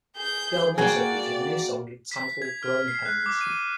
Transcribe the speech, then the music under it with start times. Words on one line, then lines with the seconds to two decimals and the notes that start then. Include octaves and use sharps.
The album also featured a new song titled "Growing Pains".
0.17 G#4 G6
0.78 A#3 F#4 G#4 D5 G5
2.12 B6
2.42 G#6
2.63 F6
2.88 C7
3.05 F#6
3.26 D6
3.41 D#7